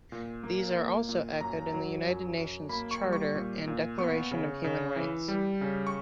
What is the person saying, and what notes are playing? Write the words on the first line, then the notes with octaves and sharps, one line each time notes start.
These are also echoed in the United Nations Charter and Declaration of Human Rights.
A#2
A#3
A#2
A#2
F#2 A#5
F#3
F#2
F#2
A#3 B5
C#6
G3
C#6
A#2
A#2
B3 C#6
C#3
C#3
E3
G3
C#3
C#6